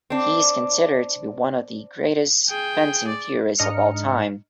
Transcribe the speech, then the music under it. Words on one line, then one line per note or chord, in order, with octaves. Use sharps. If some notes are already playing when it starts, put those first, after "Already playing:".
He is considered to be one of the greatest fencing theorists of all time.
C4 D4
G#4 G5
D5
G#2 D4 D#5 A#5 F6 C#7